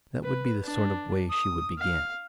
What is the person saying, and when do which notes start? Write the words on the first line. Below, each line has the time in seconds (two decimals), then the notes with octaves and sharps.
That would be the sort of way she would begin.
0.23 B4
0.63 D4
1.30 D#6
1.79 F5